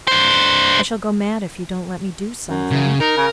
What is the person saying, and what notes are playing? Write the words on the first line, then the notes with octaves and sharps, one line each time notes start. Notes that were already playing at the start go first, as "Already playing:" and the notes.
I shall go mad if you don't let me do something.
D4 C5
F#2
C#3
D#4 A#4
C#3